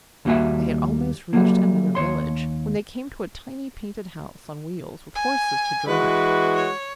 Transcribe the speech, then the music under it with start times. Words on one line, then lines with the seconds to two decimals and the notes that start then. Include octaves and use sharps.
They had almost reached another village when they came to a tiny painted house on wheels with horses to draw it.
0.25 D#2 G3 A#3 F#4 E5 G#5
1.33 F#3 G3 A3 A#3
1.95 D#2 G#2 C#5 C6
5.15 G#5
5.88 E3 G#3 F#4 B4
6.55 C#5